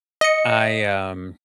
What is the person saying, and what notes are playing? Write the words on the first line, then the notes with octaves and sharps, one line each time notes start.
I, um,
D#5 C#7